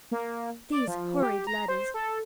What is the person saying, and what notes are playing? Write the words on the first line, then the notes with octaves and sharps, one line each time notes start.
These horrid ladders.
A#3
D5
F3
G4
A#5
C5
A4